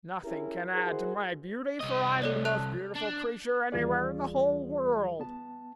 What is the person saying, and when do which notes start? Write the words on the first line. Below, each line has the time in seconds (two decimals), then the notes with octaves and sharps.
"Nothing can add to my beauty, for I'm the most beautiful creature anywhere in the whole world."
0.23 C#4 E4 G4 G#4 A#4
0.73 E4 F#4 G#4 A#4 C5
1.80 C2 D#5
2.22 A4 C#5 D5
2.45 A5 F#6 F7
2.95 D4
3.72 D#2 E3 G3 F4 G#4 D5
5.20 B3 A5